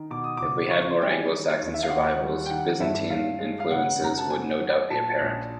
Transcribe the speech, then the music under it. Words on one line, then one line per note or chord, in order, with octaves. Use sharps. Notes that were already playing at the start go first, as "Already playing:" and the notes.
If we had more Anglo-Saxon survivals, Byzantine influences would no doubt be apparent.
Already playing: D#3
B2 D6
D#6
C#2 D6
C4 C#6
C#6
C6
G3 G5
G#5
D#3
D#2
E5
F5
D#2 F#5
G3
G5
D#3 F#5
G2 E5
G2 F5
G#3
F5
C#3 F#5
F#2 A#5
A5
B3 G#5
F#3
A#2 A5
A#1